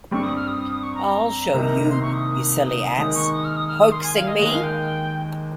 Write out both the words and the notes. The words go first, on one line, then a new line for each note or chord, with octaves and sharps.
I'll show you, you silly ass — hoaxing me!
G2 G3 C4 G4 C#6
D#6
F6
D#6
D#6
D#6
C#6
A#5
A#5
C2 C3 D#3 A#3 D#4
C6
C#6
D#6
D#2 D#3 G#3 D#4 D#6
C#6
D#6
F6
D#6
F6
D#6
C6
G#5
F5
D#5
D#2 D#3 G#3 D#5
F5
G5